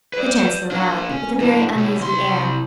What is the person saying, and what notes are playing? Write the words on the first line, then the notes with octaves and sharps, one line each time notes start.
The Chancellor bowed, but with a very uneasy air.
B4 D5
A#2 D4
C#4
A2 D4
B2 A3
C2 C6